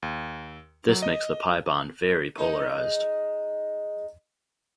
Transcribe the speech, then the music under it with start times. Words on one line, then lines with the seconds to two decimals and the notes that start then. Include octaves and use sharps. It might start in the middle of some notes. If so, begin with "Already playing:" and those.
This makes the pi bond very polarized.
0.02 D#2
0.88 F#3
1.02 D#5
2.38 G#3 D#4